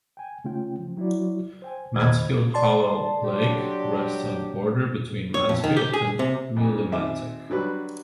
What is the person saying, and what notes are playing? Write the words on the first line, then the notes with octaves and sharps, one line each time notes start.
Mansfield Hollow Lake rests on the border between Mansfield and Willimantic.
G5 G#5
C#3 A3 C#4 F4 G5
F3
F#3 E4 F#4 D5
C5 G5 G#5
E2 D#3 C5 D#5 B5 G#6
D5 A5 C6
F#3 D4 G4
C#5
F2
D#3
G4
G#4
C3
F2 A#2
G#1 C4 E5 G#5 D6
D3 F#3 G3 B4